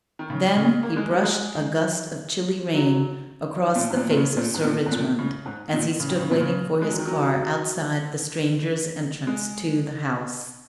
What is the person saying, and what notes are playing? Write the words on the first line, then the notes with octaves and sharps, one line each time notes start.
Then he brushed a gust of chilly rain across the face of Sir Richmond as he stood waiting for his car outside the strangers' entrance to the House.
D#3
C#3
C#3
A#3
G#3
F#3
G#3
F#3
D#3
A#2
G#2
A#2
A#2
C#3
A#2
G#2
A#2
G#2
A#2
C#3
G#2
A#2
C#3
D#3
C#3
A#2
C#3
G#3
F#3
D#3
F#3
G#3